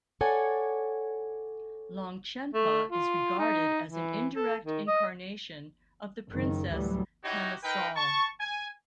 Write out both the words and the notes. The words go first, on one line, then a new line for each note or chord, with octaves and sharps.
Longchenpa is regarded as an indirect incarnation of the princess Pema Sal.
A4 C#5 D5 F#5 G#5
A3
F4
D#4
E3
A4
D#3
D#5
F#1 D#3
D2 A2 E3 F#3 G3
D#4 E4 F#4 G4 C#5
D#4 A#4 B4 G5
A5 C#6
G#5